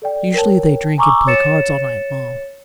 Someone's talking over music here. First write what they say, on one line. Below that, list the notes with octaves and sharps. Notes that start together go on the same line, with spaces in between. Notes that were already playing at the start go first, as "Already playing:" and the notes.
Usually they drink and play cards all night long.
A4 D5 G5
A#4 C#5 G5 A5
G#5 A#5 C#6 D6 E6
C#5 A6 C#7 E7